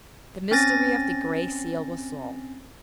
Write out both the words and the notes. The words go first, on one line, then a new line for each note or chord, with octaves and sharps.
The mystery of the Gray Seal was solved!
C4 C#4 G#5 A6 A#6